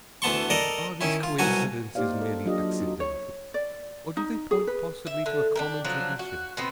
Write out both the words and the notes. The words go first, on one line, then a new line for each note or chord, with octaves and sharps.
Are these coincidences merely accidental or do they point possibly to a common tradition?
D2 E3 B3 A5 C6 C#6
A4 A#4 D5 D#5
D#3 C#4 E4
F4
C2 B2 F#3 F#4 G#5
A#3 D#4 G4 C5 D5 F5
A4
F#3 D4 F4 G4 D#5
D#4 F#4
C#5
D5
D#4
G#4
B4
E5
D3
D4 G4 A#4
F3 F#3 D4
F#4
B2 B3 C4